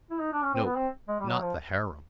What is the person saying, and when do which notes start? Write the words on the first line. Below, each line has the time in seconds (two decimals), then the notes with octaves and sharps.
Nope, not the harem.
0.11 E4
0.21 D#4
0.33 D4
0.43 C#4
0.54 C4
0.65 B3
0.76 C4
1.08 G#3
1.20 G3
1.31 F#3
1.42 F3